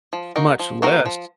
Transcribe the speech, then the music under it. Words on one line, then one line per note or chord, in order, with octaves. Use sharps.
much less,
F3
A#3 D#4 F#4 A#4
F3
A#3 D#4 F#4 A#4
F3